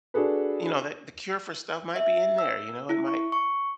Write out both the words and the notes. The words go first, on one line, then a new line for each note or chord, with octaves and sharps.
you know, that the cure for stuff might be in there, you know? It might
D4 F#4 G#4 A4 B4
E5
E6
E4
C#6
C#6